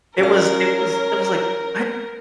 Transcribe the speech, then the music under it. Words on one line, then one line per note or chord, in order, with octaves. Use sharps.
It was it was it was like, "What?
C#4 A#4 C#5 F5